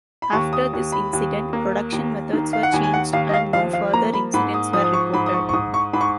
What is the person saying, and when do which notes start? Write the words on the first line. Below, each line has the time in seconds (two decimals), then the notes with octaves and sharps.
After this incident, production methods were changed and no further incidents were reported.
0.22 B5
0.32 D#2 C#6
0.53 D#6
0.73 D#2
0.92 B5
1.13 D#2
1.53 A#3
1.92 D#2
2.33 D#3
2.53 F5
2.63 F#5
2.73 D#2 G#5
2.83 G#5
2.94 F#5
3.13 D#2 F5
3.29 D#5
3.34 F5
3.53 F3 F5
3.73 F5
3.93 A#3 A#5
4.14 B5
4.34 G#2 B5
4.54 D#6
4.73 F3 D#6
4.84 D#6
4.93 C#6
5.13 G#2 B5
5.26 D#6
5.33 C#6
5.49 C#6
5.53 G#2 D#6
5.74 C#6
5.93 G#2 B5
6.01 C#6